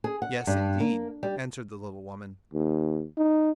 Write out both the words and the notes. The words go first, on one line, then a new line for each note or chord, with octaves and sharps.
"Yes, indeed," answered the little woman.
G#4
F#5
G2
A#3
G3
D#2
D#4